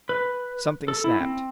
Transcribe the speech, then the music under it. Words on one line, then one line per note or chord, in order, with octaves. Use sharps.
Something snapped.
B4
A4
E4
C4